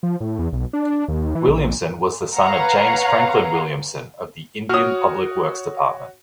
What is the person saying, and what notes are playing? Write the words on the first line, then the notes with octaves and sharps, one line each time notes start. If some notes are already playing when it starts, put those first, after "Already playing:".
Williamson was the son of James Franklin Williamson of the Indian Public Works Department.
F3
A2
E2
B1
D4
D4
D#2
E3
A#1
B4 C#5 F5 F#5 A#5
F#4 C#5 D#6 F6